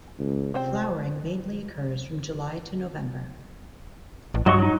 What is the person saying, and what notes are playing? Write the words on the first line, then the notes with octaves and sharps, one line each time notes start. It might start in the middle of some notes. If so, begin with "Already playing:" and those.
Flowering mainly occurs from July to November.
C#2
C3 C4 C5 G5
A1
G2 F#3 D#5 C#6
F#3 D#4